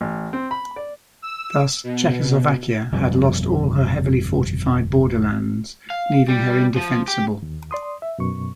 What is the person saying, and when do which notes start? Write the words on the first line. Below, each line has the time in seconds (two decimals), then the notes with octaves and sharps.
Thus Czechoslovakia had lost all her heavily fortified borderlands, leaving her indefensible.
0.01 A1
0.33 C4
0.51 B5
0.76 D5
1.22 E6
1.84 B2
2.92 G1 F2 B2 G3
5.90 F5
6.28 G3
6.76 F3
7.08 G4
7.42 D#2
7.71 D5 C6 D#6
8.02 E5
8.18 F#2 B2 C#6